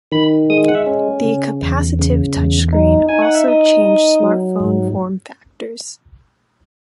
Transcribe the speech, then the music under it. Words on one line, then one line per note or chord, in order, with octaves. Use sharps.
The capacitive touchscreen also changed smartphone form factors.
D#3 B5
G#3 D#6
F#5
E5
C#4
C#3
E2
C#3
E2
D#4
D#4 G#5
F#5
E5
D#4 D#5
D#4
F#3
G#2